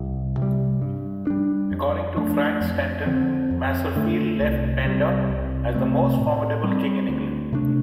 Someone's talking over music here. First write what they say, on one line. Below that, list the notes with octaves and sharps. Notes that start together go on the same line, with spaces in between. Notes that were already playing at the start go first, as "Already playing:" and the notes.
According to Frank Stenton, Maserfield left Penda as the most formidable king in England.
Already playing: C2
C3 G3
G2
G3 D4
F2
F3 A3 D4
F2
D3 F3 C4
F2
D3 A3
C2
C3 G3
C2
C3 A3 C4
A2
G3 C4
D2
C3 A3 D4